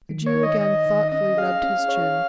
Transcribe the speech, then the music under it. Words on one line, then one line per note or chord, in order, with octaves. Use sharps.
The Jew again thoughtfully rubbed his chin.
D#3
C#5
D#4
D#5
D#3 D#5
D#3
C#4 D#5
G#4 F5
C#4
C#5